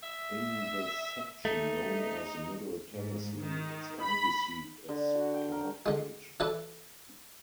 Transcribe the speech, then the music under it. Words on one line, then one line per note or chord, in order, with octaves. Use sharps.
In the section known as Middle Tennessee, its county seat is Carthage.
E5
A3 D#4
G#2
D#3
B5
D3
F#4
G5
A#4
D3 G#3
E3 D4 E4 A4 B4